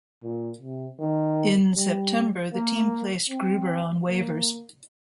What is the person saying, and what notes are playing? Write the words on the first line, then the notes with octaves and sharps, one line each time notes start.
In September, the team placed Gruber on waivers.
A#2
C3
D#3
G3
A#3
C4
A#3